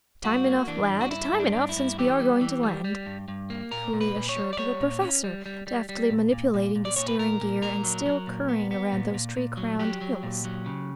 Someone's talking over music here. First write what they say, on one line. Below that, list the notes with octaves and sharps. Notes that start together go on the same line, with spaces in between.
"Time enough, lad, time enough, since we are going to land," coolly assured the professor, deftly manipulating the steering-gear and still curying around those tree-crowned hills.
G2 F#4
A#3
E3 D4
G2
F#4
G2 E4
G2
D4
G2
E4
G2
E3 G4
G3
E3
G3
G3
G2
G2
A#3
A#2 A#4
A#2
B4
A#2
C#5
G3
D5
G3 C#5
A#2
C#4
G3
G3
G3
G3
A#2
A#2
A#2
A#2
D5
A#2 C#5
B4
A#2 A#4
A#2
A#2 A#4
F#3
F#3
A#2
B3
B3
A#2
A#2
A#2
F#3
F#3 G4
F#3
A#2
F#3
C#3